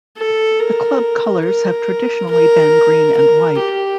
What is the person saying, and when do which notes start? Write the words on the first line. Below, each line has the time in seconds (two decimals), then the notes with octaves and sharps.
The club colours have traditionally been green and white.
0.18 A4
0.60 A#4
1.46 A#4
2.31 A#4
3.17 A#4
3.60 G4